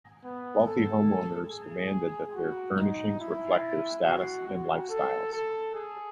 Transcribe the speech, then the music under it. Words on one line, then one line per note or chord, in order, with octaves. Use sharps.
Wealthy homeowners demanded that their furnishings reflect their status and lifestyles.
B3
A4
G#4
F#4
D#4
E4
F#4
F#4
A4
A4
G#4